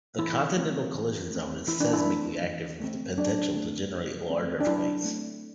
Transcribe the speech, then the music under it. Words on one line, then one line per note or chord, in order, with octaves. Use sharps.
The continental collision zone is seismically active with the potential to generate large earthquakes.
E3 E4
A3 C4
E3
A3 C4
E3 E4
D4
E4
A3 C4
E3
A3 C4
F#3 D4
A3 C4
F#3
A3 C4
D4
F#3 E4
A3 C4